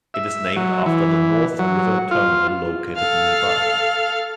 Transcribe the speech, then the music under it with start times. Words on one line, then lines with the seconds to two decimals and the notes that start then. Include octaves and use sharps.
It is named after the North River Terminal located nearby.
0.14 E5
0.56 F#3
0.86 E3
1.59 F#3
2.11 F4
2.97 A4 F5